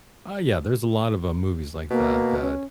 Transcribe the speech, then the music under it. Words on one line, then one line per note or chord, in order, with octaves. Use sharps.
Ah, yeah. There's a lot of, uh, movies like that that
B2 A#3
C#4